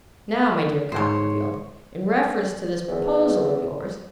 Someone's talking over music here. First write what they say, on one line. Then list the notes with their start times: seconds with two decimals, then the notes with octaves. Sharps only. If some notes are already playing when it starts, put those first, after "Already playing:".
'Now, my dear Copperfield, in reference to this proposal of yours.
0.92 G#2 C5 C#5
2.88 E2